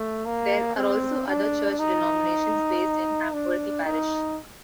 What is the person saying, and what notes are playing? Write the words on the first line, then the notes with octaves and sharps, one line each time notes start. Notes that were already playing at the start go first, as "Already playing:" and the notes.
There are also other church denominations based in Hamworthy parish.
Already playing: A3
A#3
C4
D4
D#4
D4
D#4